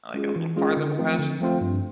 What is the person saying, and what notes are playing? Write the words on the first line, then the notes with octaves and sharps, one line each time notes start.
like, a little farther west.
G#3 C#4 F4 G#4
E3
G#3 C#4 F4 G#4
D3
F3 A3 C4 F4
D3
F3 A3 C4 F4
G2